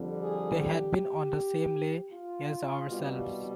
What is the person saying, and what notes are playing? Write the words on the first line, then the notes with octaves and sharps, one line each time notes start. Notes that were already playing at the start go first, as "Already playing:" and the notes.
They had been on the same lay as ourselves.
Already playing: F2 D3 G3
G#4
G4
F4
C2 B2 G3 F4